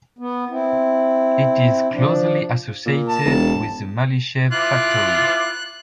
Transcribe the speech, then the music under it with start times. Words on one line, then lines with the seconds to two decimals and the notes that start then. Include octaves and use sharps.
It is closely associated with the Malyshev Factory.
0.19 B3
0.50 C4 E4
1.92 F3 D4
2.86 A#2
3.08 A5
3.25 E1
4.51 E4 F4 D6 F#6